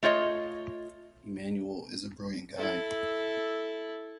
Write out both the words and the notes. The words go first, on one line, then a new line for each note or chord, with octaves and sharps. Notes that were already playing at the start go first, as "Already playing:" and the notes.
Immanuel is a brilliant guy.
A3 F4 C#5 D#5
E4 A4